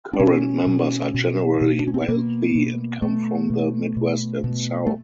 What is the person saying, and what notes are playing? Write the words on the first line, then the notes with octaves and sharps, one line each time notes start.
Current members are generally wealthy and come from the Midwest and South.
D4
B2 C#4
B2
B2
B2
D4
C#4
C4
B3
B2 A#3
B2
B2 A3
B2
B2
B2
A3